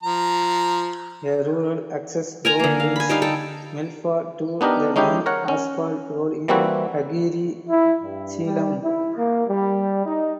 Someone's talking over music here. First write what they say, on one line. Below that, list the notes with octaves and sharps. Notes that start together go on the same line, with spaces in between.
A rural access road links Melfa to the main asphalt road in Hagere Selam.
F3 A#5
A#4 G#5 A#5
D3 A#3
F5
G#5 B5
G3 D#4 F5
A4 G5
B3 D4 D#4 G4 A#4
G#3 C#4 D#4 E4 G4
A#4 C#5 F#5
C#4
E3 G3 A#3 C4 E4 F#4
E4
G2
G3
E4
A#3
G3
D#4